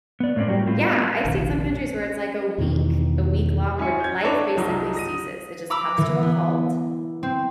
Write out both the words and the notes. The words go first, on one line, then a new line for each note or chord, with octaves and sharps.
yeah, I seen some countries where it's like a week, a week long where life basically ceases. It just comes to a halt,
B3 D5
A2 A#3 C4 C#4 D5
A2 G3 A#3 F#4 G5
A2 C4 E4 F4
A#3 B3
F1 A#1 D#3
C#4
E2 B2 D#3 E3
G#3 C#4 E4 G#5 C#7
G6 G#6
D4 E4 A4 B4 C#5 D5
C2 F3 F#3 D#4
D#6 A#6 D#7
A#5 B5 D6 E6
E3
B3
C4